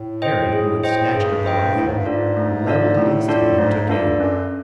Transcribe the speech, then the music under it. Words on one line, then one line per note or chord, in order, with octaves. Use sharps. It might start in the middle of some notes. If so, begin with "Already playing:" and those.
Harry, who had snatched up a rifle, levelled it instantly and took aim.
Already playing: A2
C5 D#5 G5
G#4
C5 D#5 G5
G2 G#4
C5 D#5 G5
A2 A3
G#2
G2
G#2 D4 F4 A4 D5
A3
D4 F4 A4 D5
A2 A3
D4 F4 A4 D5
G#2 A3
G2 D4 F4 A4 D5
F#2 C#4